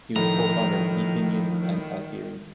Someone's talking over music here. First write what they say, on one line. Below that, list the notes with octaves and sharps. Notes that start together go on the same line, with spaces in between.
He was a co-founder of Epinions and Alpiri.
A2 D#3 F3 A#5